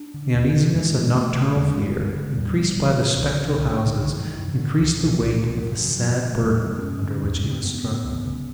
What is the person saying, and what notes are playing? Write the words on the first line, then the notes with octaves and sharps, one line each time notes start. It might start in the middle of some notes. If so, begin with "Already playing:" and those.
The uneasiness of nocturnal fear, increased by the spectral houses, increased the weight of the sad burden under which he was struggling.
Already playing: D4
D3
D#2
D3
F2 G#3
D3
F2 A3
C3
E2 G#3
C3
D2
D3
E2 G3
B2
D2
C#3 F3
E3
C2 D#3
C3
C2
A#2
D3
C2 D#3
E3
C3
D#3
F#2
D3
C#2
B2
C2
B2
F3
F2 F#3
C#3
F#2 F3
D3
G#3
E2 G3
G#3
C3
C4
F#2 C#4
D3
E2
C#3
C4
F#2 B3
C#3
C#2
C#3